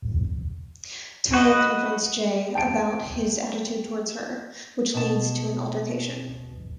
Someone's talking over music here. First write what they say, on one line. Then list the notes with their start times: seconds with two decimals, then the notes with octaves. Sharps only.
Tia confronts Jai about his attitude towards her, which leads to an altercation.
1.34 F#4 B4 D#5
2.55 G5 A5 D7
4.94 B2 A5